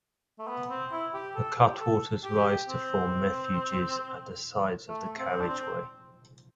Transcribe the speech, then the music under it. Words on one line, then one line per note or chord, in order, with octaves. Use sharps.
The cutwaters rise to form refuges at the sides of the carriageway.
A3
B3
C4
E4
G4
A4
G4
A4
G4
C4
A3
C4
D4
C4